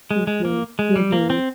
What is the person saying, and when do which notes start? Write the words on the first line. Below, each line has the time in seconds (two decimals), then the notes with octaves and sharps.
Mhm, mhm.
0.11 G#3
0.27 G#3
0.45 A#3
0.79 G#3
0.96 G3
1.12 A#3
1.30 C4